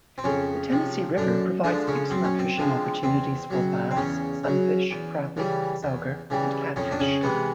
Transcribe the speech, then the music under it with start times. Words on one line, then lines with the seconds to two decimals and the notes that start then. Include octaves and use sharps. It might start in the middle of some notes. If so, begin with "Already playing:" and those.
The Tennessee River provides excellent fishing opportunities for bass, sunfish, crappie, sauger, and catfish.
0.18 C4
0.24 F2 C#3 C#4
0.71 C3 F3
1.17 F#2 D3 D4
1.64 D3 F3 G#3 D4
1.87 C#3 C#4
2.10 F#2 C4
2.24 C#4
2.39 C4
2.58 D3 F3 G#3
3.03 E2 C4
3.50 C#3 F#3
3.91 C4
3.96 E2 C#3 C#4
4.44 C#3 F#3
4.91 E2
5.37 C#3 E3 G3
5.83 E2
6.30 C#3 E3 G3
6.76 F2 C#3 C#4
6.91 D4
6.99 C#3 C#4
7.23 C3 E3 G#3 B3